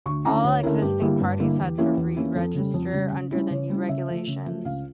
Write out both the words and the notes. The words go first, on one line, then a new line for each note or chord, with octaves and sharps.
All existing parties had to re-register under the new regulations.
D2 C#6
D3 A3 C#4 E4 A#5
D2 C#5
D3 A3 C#4 E4 A#4
G2 G4
D3 G3 A#3 E4
G2
D3 G3 A#3 E4
E2
E3 A#3 C#4 E4
E2
E3 A#3 C#4 E4
F2 A4
C#3 G3
F2
C#3 G3
C#3
G3 C#4 E4
C#3 C#5
G3 C#4 E4
C#3 E5
F3 A3
C#3
F3 A3
C#2 F5